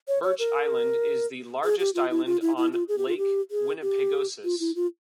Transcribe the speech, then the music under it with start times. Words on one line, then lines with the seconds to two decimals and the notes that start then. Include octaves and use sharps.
Birch Island is the largest island on Lake Winnipegosis.
0.08 C#5
0.23 C#5
0.39 A#4
1.64 G#4
1.79 G4
1.95 F4
2.10 E4
2.26 F4
2.41 E4
2.57 E4
2.73 F4
2.88 G#4
2.98 G4
3.08 F4
3.18 G4
3.51 G#4
3.82 G4
4.44 F4
4.60 E4
4.76 F4